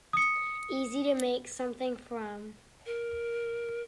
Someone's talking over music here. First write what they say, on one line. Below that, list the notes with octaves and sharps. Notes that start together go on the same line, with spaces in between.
Easy to make something from.
D#6 C#7
A#4